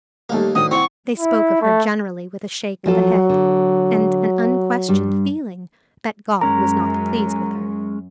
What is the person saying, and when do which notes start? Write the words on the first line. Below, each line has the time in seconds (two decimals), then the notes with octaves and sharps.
They spoke of her generally with a shake of the head, and an unquestioned feeling that God was not pleased with her.
0.29 D#2 G3 A3 A#3
0.55 D2 A2 D#3 A3 D#6
0.71 C4 E4 F#5 C#6
1.19 E4
1.62 A3
2.86 F3 F#3 F4 A4
3.29 D3
4.88 G2 G3 D4
6.41 F#2 G#3 C#4 A#4 A#5